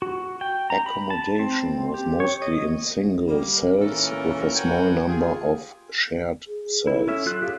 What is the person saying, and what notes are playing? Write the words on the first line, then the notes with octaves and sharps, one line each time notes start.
Accommodation was mostly in single cells, with a small number of shared cells.
F#4
G5
A#5
B5
A5
C4
G4
C#5
D#5
G3 A#3
A#2 E3 C#4 A4 A#4
F#4 A#4 B4 C#5 G5 G#5
A#3 F4 G4 G#4
G#4
E4
C#4 A4 E5
F#3 F4 F#6
G4 G#4 F5